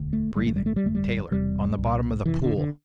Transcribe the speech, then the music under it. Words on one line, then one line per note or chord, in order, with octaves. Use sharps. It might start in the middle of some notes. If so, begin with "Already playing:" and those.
Breathing, Taylor, on the bottom of the pool!
Already playing: E1 D2 D3
A3
A1 G2 D3 G3
A3
G3
A3
G3
G1 F2 D3 A3
G3
E1 E2 C3 G3
C2 A#2
F1 F2 C3 E3
D3
D3